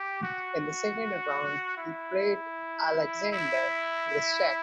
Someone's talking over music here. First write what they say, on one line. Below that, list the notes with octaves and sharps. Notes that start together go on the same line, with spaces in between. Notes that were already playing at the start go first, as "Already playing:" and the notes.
In the second round he played Alexander Grischuk.
Already playing: G4
F#4
E4
E4